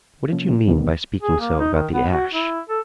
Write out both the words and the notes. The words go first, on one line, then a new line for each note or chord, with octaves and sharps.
"What did you mean by speaking so about the Ash?"
C3 F3 A#3 C#4
B2 D3 D#3 G3 A#3 B3
G#4
A#3
D#4
D#3
B3
F#4
E4
A4